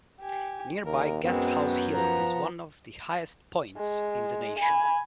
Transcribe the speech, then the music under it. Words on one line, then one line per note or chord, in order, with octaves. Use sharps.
Nearby Guesthouse Hill is one of the highest points in the nation.
G4 G#5
D#2 A#4
F#2 G#3 B3 C4
F3 B3 A#5
G#3
G#5 B5